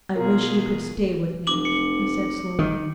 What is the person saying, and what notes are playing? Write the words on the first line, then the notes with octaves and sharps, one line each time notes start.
'I wish you could stay with me,' he said slowly.
B2 D#3 F4 G#4 A#4
F1 D6 F#7
C#7
D#3